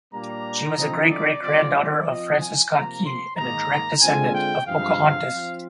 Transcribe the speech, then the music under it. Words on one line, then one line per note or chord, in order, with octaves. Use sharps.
She was a great-great-granddaughter of Francis Scott Key and a direct descendant of Pocahontas.
A#2 G3 A#3 D4 A#5
D3 F3 C4 D#4
D5
D3 G3 C4 F4 D5
D5
F3 C4 F4 D#5
G#5
C3 F3 A#3 A#5
C6
G#2 D#3 A#3 D#4 A#5
D3 G#3 C4 F4 G#5
G5
G2 F3 G#3 C4 F5
F3 C4 F4